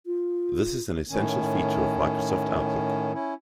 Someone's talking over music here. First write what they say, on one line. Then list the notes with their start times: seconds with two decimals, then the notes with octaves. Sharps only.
This is an essential feature of Microsoft Outlook.
0.06 F4
1.10 A2 D#3 C#4
3.13 C#4 E4